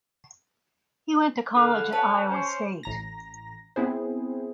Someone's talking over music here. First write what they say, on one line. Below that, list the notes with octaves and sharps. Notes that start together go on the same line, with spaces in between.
He went to college at Iowa State.
D3 B4 F5
C#4 A4 B4 F#5
C#4 C5
A1 A#5 A#6
B3 C4 E4 G#4 C5